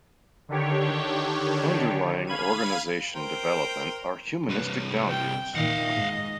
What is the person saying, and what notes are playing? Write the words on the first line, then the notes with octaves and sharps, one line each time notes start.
Underlying Organization Development are humanistic values.
D3 D#3 D4 G4 C#5
F5 B5 G#6 D#7
A#4 C5 G5
C2 B4
G5
A#2 D#3 D#5 F5 F#5
G#2